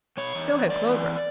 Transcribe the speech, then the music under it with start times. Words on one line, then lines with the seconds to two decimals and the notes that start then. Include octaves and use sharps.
So had Clover.
0.17 B2 C#5
0.35 E2
0.53 E2
0.70 A3 D5
0.88 E3